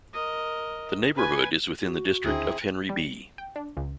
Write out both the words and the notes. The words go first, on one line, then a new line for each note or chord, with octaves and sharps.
The neighborhood is within the district of Henry B.
A#4 D#5
B4 G#5
F#4
D2 D#3 C4 D4 E4 G#4
G3
G5
D4
C#2